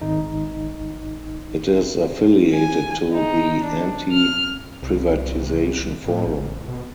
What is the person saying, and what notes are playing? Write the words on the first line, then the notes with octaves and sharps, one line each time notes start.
It is affiliated to the Anti-Privatisation Forum.
G#1 D#4
G#5
D#4
D4
F6
C2
A2
A1
B2